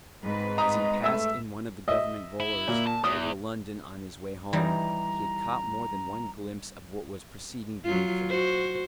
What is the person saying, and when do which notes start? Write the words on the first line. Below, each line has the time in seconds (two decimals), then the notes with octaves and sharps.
As he passed in one of the Government volors over London on his way home, he had caught more than one glimpse of what was proceeding beneath him.
0.23 G#2 C4 B4
0.58 D#5 A#5 D#6
1.04 A3 E5 E6
1.88 D#5 E5
2.40 E4
2.67 A#2
2.87 A5
3.04 E2 D#6
4.53 E3 G3 D#4 A#5
7.84 F#3 F4
8.29 F#4 C5